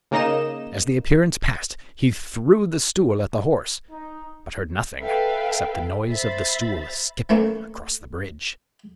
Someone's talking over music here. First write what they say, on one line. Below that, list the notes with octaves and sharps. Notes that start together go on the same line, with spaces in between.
As the appearance passed, he threw the stool at the horse, but heard nothing except the noise of the stool skipping across the bridge.
C#3 A#3 D#4 D#5 E7
D#4
A4 B4 E5 F5 G5 B5
C5 E5 B5 A6
E3 A3 A#3 C#4